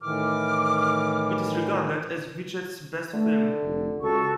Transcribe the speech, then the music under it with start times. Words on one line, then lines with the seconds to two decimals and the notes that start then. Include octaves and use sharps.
It is regarded as Vichet's best film.
0.02 A2 D#3 E3 D6 F6
3.13 D3 A3
3.63 F1
4.01 C#2 F#4 A4 C#6